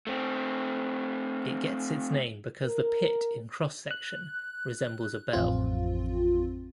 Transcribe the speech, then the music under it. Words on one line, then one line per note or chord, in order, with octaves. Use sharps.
It gets its name because the pit in cross section resembles a bell.
A3 C4
A#4
F#6
A1 F2 C4 F4